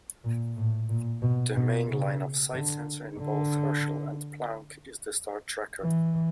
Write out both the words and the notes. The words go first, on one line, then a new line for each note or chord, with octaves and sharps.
The main line-of-sight sensor in both "Herschel" and "Planck" is the star tracker.
A#2
A2
A#2
B2
B2
C#3
D3
D3
E3